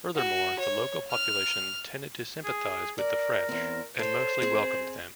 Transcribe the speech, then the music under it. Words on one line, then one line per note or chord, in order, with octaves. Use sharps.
Furthermore, the local population tended to sympathise with the French, and mostly welcomed them.
F#4
C#5
F6
G#4
A#4 D5
E2 C4
A4 C5 C#5
C4 G#4